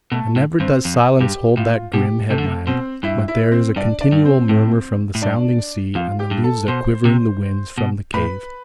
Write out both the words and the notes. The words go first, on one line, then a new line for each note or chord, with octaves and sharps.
And never does silence hold that grim headland, but there is a continual murmur from the sounding sea and the leaves that quiver in the winds from the cave.
B2 A3 A4
A2
G2 C4 C5
F2
G2 G4
A2 F4
B2 G4
C3 A3 A4
D3
C3
B2 C4 C5
G2 E4 E5
E4 E5
C4 C5
G2 D4 D5
D4 D5
G2
C4 C5
A2
A2
G2 D4 D5
F2 F4 F5
G4 G5
G2
A4 A5
B2 C5 C6
C3
B2
A2 B4 B5